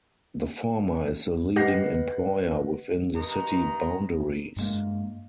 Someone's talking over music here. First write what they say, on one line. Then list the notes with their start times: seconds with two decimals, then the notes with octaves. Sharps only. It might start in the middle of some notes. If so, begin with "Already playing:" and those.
The former is the leading employer within the city boundaries.
1.56 G4 B4 D#5 F#5 A#6 C7
3.14 G2 D#3 D#5 A#5
4.57 G2 G#3 A#3